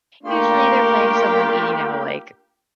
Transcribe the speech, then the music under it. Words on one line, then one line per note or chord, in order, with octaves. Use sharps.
usually, they're playing someone, y you know, like,
A3 A#3 D4 F4 G4 A#4